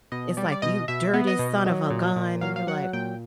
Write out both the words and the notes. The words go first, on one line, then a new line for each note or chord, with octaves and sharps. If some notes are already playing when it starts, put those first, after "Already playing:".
it's like, "You dirty son of a gun," and you're like,
B2 D#5
G3 D5
D5
B2 D#5
B2 E5
B3
D#5
B2
F#3
A#2
A#2
F#3 F5
F5
F#3 F#5
A#2 G5